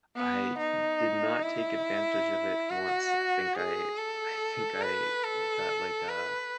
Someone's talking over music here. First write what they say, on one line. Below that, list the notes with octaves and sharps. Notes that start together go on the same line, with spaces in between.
I did not take advantage of it once. I think I I think I li got, like, a
B3
D#4
E4
F#4
G#4
A4
B4
A4
B4